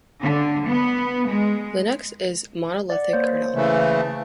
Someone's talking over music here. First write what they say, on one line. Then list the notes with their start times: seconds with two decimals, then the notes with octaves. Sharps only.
Linux is a monolithic kernel.
0.20 D3
0.66 B3
1.29 G#3
2.90 D5 F#5
3.13 A#3 C5 C#5
3.54 C#3 E3 A3